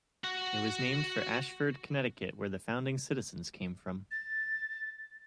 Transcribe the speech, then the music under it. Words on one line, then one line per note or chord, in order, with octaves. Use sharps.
It was named for Ashford, Connecticut, where the founding citizens came from.
F#4 F#5
A6